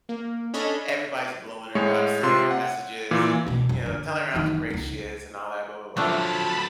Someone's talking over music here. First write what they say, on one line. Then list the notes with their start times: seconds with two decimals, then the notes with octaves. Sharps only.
everybody's blowing her up, sending her messages, and, you know, telling her how great she is and all that, blah, blah, blah.
0.09 A#3
0.54 C#4 D4 A4 C#5 D#5 B5
1.75 A2 G#3 C#5
2.23 C3 F4 C6
2.51 F#5
3.11 A#2 E3 F4
3.47 C#2 B2
3.69 F#1
3.86 D3
4.34 F#1 D#3
4.70 C#2 D#4
5.97 D3 F3 F#3 A3 D4 A5 B5